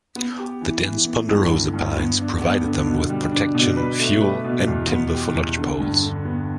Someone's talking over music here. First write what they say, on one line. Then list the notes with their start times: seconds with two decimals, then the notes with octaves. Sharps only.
The dense Ponderosa Pines provided them with protection, fuel, and timber for lodgepoles.
0.16 B3
0.38 G4
0.61 E3
0.83 E3
1.06 B3
1.28 G2
1.51 D3
1.73 G2
1.97 B3
2.19 D4
2.42 B3
2.64 D3
2.86 B2
3.09 G3
3.32 D4
3.55 B2
3.77 B4
3.99 A3
4.22 B4
4.44 B2
4.67 E2
4.90 B3
5.13 G4
5.35 E2
5.58 D3
5.80 G2
6.02 D3
6.25 B3